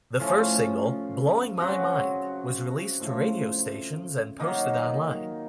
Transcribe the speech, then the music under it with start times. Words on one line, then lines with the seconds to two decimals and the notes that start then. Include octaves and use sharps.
The first single, "Blowing My Mind", was released to radio stations and posted online.
0.19 A2 F3 A3 C#4
1.60 C#3 F#3 C4 F#4
3.00 A2 F3 A3
4.40 D#3 F#3 A#3 D#4